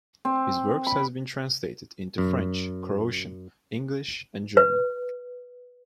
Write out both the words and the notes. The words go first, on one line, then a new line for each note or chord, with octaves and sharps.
His work has been translated into French, Croatian, English, and German.
C4
B5
F#2
B4